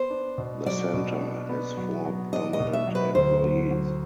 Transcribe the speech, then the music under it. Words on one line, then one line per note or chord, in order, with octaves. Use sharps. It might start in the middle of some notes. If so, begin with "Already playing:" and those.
The center has four permanent employees.
Already playing: B3 C5
D4
B2
F#3 D5
B2
D4
B3
F#3
F#3
D4 D#5
D#5
B2
E5
F#3
B4
D2 C5
F#3
F#3